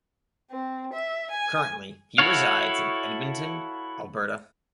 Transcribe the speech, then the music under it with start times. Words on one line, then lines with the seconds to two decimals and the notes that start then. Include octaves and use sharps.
Currently he resides in Edmonton, Alberta.
0.51 C4
0.92 E5
1.31 G#5
2.18 E4 F#4 A4 C#5 F5